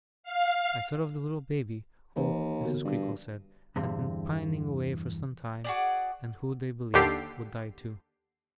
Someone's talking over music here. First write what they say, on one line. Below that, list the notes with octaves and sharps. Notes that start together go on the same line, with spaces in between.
I thought of the little baby, who, Mrs. Creakle said, had been pining away for some time, and who, they believed, would die too.
F5
D#2 E3 B4 C5
D3 B3 F#4
G2
E2 G2 D3 C4
F#4 G#4 D5
D#2 D3 G4 C7